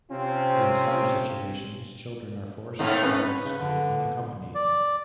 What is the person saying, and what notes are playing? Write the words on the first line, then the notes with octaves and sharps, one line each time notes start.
In some situations, children are forced to travel to school unaccompanied.
C3 C4 C#4 F4
G#2 A3 A#3 C4
C#4 B4
C#4
C#3
D3
D5